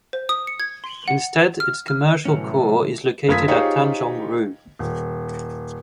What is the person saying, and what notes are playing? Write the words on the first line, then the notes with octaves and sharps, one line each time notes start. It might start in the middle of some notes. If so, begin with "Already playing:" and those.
Instead, its commercial core is located at Tanjong Rhu.
C5
D#6
C#7
G#6
C6
F#5
F6
F6
C2 A2 E3 F#3 C#4
F#1 A3 F4 D#6 G#6 B6
D#4 F4 G4 G#4 C5 C#5
D#1